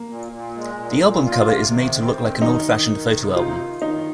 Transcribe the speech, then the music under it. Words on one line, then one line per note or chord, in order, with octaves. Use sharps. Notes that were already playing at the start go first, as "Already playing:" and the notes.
The album cover is made to look like an old-fashioned photo album.
Already playing: A#3
A#2
A#2
G#3
A#2
A#2
F4
C3
D#3
C4
D#3
D#3 D#4
D#3
D#3
C3
D#4 F4
D#3
D#3 D#4